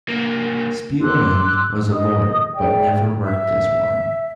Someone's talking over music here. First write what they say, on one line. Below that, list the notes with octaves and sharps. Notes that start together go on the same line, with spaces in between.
Spielmann was a lawyer but never worked as one.
C2 A#3
C6 D6 E6 F#6
D#5 D#6
G#4 D5 E5 G5
E5